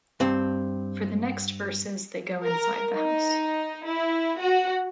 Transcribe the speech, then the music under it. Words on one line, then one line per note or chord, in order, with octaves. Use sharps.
For the next verses they go inside the house.
G2 C4
A#4
D#4
E4
F#4